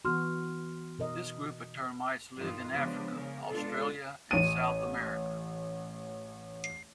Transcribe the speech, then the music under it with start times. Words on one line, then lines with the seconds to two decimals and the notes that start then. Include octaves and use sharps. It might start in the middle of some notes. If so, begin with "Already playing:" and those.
This group of termites live in Africa, Australia and South America.
0.05 E3 B3 F#4 C6 F6
0.99 B2 A#4 D#5
2.37 G2 D#3 F4
2.73 C#3 F3 G#3 B3 D4 G4
3.10 C#3 A#4
3.49 B2 G#3 D4 F4 A4
4.31 A1 D#7